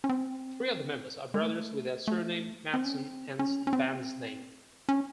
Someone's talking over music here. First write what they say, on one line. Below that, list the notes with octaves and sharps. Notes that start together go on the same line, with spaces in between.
Three of the members are brothers with the surname Madsen, hence the band's name.
C#4
C4
G#3
A3
A3
C4
C#4
C4
C#4
C#4
C4
C#4